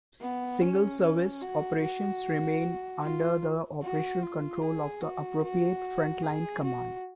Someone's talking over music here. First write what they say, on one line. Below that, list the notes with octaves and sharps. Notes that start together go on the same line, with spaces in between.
Single-service operations remain under the operational control of the appropriate front-line command.
B3
C#4
C#4
F#4
F#4
F4
F#4
F4
G#4
F#4
F#4
G#4
F#4